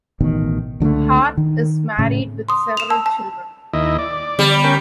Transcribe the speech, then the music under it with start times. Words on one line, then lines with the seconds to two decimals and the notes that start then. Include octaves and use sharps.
Harp is married, with several children.
0.20 A1 B2 D#3
0.80 C#2 D3 G#3 A3
1.37 D#3
1.99 A2 C#3
2.49 C6 D#6
2.77 E7 F7
2.90 A5 E6
3.06 A5
3.73 D#2 E4 D#5
3.98 D5
4.39 D3 G3
4.64 C#4 A#4 G5